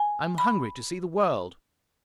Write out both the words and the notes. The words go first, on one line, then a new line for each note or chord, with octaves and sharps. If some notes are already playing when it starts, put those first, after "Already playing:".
I am hungry to see the world.
Already playing: G#5
B5